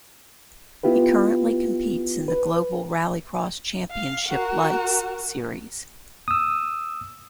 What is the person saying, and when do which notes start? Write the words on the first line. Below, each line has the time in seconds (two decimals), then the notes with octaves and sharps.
He currently competes in the Global RallyCross Championship Lites series.
0.83 B3 E4 F4 G4 B4
2.28 B4
3.91 F5
4.28 F#4 A#4
6.28 D#6 E6